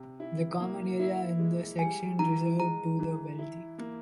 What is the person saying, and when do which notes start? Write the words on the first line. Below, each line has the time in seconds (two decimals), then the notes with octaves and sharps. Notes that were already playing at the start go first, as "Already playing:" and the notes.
The common area and the section reserved to the wealthy.
Already playing: C3
0.20 E4
0.60 A#3
1.00 E4
1.39 G#3
1.79 G3 G#5
2.19 E3 A#5
2.59 G#3 A#5
2.99 E3
3.39 E4
3.78 A#3